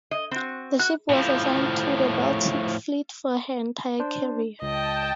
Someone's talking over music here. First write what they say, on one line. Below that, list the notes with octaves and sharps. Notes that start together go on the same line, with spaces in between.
The ship was assigned to the Baltic Fleet for her entire career.
D#5
C4 F#4
F#4 F#6
A2 F3
D4 C5
C#2 D#5 G5 A5